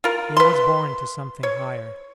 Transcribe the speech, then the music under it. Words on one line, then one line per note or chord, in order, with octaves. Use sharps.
He was born to something higher.
F4 A#4
B4 C6
C#5